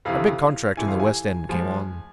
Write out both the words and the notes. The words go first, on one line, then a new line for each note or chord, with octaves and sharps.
Our big contract in the West End came on.
F2 C3 E3 F5
F2 C3 E3 G#5
F5
G#5
G#2 F3 G#5